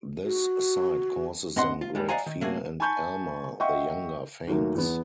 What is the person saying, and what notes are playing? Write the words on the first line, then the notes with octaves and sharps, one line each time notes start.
This sight causes them great fear and Alma the Younger faints.
F#4
G2 C3 D#5 F#5 C6
F4
G2 G3 G#3
D5 D#5 F5 F#5 G#5 A#5
D#3
C3 A3 A#3 F#4 G#4
G#5 A5 B5 C#6 G6
D#5 E5 F#5 G5 C#6
D#2 F#3 A3 A#3
E2 B3